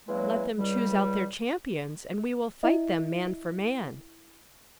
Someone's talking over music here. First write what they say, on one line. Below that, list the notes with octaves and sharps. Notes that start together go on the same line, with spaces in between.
"Let them choose out their champions, and we will fight them, man for man."
E2 C#3 E3 F#3 G#3 A#3
C#2 G3
E4 D#5 E5